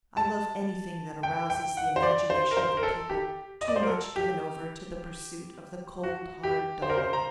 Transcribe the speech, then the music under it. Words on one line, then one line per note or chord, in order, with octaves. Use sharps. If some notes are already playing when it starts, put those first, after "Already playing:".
I love anything that arouses the imagination of a people too much given over to the pursuit of the cold, hard dollar.
A5
G5
G5
F#5
C5
D5
C5
A#4
C5
A#4
A4
G4
D#5
D5
C5
A#4
A4
G4
F#4
G4
C5
A#4
C5
A#5